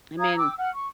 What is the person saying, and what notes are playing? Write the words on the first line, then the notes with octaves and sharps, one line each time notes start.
I mean,
F5 A#5 D#6 G#6
G5 D6 E6
F#5 F6
C#6